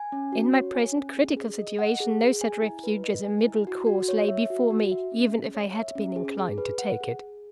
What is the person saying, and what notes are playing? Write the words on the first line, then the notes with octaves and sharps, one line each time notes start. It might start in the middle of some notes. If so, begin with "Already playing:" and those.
In my present critical situation, no such refuge as a middle course lay before me--even if I had been inclined to take it.
Already playing: G#5
C#4
F#4
C#5
G#5
C#4
G#4
G#4
D#5
F#5
G#4
G#4
G#5
E4
B4
D#5
G#5
E4
F#4
F#4
C#5
E5
F#4
F#4
E5
C#4
G#4
C#5
E5
C#4
G#4
G#4
B4
F#5
G#4
G#4